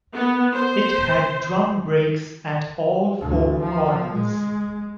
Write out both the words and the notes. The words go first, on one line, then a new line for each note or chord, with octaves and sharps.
It had drum brakes at all four corners.
B3
C5
D2
F3
G#3